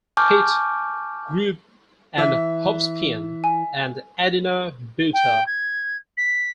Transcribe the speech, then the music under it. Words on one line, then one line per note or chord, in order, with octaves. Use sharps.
Pit, Grube and Hovsepian and Adina Butar.
G#5 A5 C#6 D6 F6 G6
E3 E5
G#5
G5
G#6
B6